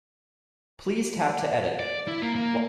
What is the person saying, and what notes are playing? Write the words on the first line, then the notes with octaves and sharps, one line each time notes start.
Please tap to edit.
D5
E4
A#3
A#3